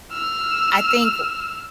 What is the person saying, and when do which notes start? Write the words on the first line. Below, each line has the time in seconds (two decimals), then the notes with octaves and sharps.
I think
0.12 E6 F6